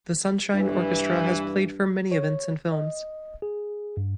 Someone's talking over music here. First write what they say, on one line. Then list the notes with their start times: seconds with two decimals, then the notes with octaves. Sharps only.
The Sunshine Orchestra has played for many events and films.
0.54 G2 E3
2.12 C#5
2.72 D#5
3.42 G#4
3.97 G2